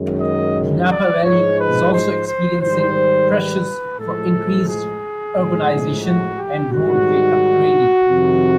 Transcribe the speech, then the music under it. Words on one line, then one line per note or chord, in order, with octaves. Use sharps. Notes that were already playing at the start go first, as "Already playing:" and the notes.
The Napa Valley is also experiencing pressures for increased urbanization and roadway upgrading.
Already playing: F#2 D#3 G#3
D#5
D5
G#2 F3 G#3 C#5
B4
C5
C5
G#2 D#3 G3 C5
B4
A2 F3 G#3 A4
G#4
A2 F3 G#3
F#4
G4
G#2 D#3 G3 F#4
F2 C3 D#3